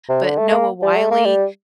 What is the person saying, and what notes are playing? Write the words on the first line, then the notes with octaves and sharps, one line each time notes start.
but Noah Wiley
C3
D3
A3
A3
A#3
G3
A3
A#3
G3